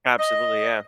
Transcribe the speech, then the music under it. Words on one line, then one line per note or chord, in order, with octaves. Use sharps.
Absolutely, yeah.
D#5